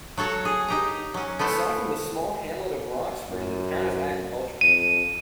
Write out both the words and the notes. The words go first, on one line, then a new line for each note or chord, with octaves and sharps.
Aside from the small hamlet of Roxbury, the town is agricultural.
F#3 F#4 A4 C#5
G#4
D#4 G4 A#5
F#3 C#4
A3 B3 E4 C5
F#2
F2 D#7